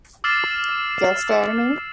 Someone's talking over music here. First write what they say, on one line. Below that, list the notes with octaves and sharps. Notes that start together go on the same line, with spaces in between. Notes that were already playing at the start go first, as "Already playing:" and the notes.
Just tell me.
D6 E6 F6 A6 C7 E7